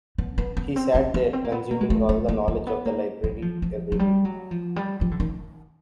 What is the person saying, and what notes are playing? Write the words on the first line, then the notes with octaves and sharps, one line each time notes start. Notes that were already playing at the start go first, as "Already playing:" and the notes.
He sat there consuming all the knowledge of the library every week.
B3
B3
B3
C4
C4
B3
C4
A#3
B3
A#3
G#3
A3
A3
A#3
A#3
B3
A#3
G3
F3
F3
F#3
G3
F#3
F3
G3
F3
D3
D#3